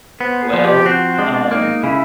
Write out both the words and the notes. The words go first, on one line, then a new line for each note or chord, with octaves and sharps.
pretty well. Um.
B3 C5
G#4
F3
G4
C4 F#4
G#3 D4
A#3 D#4
C#3 E4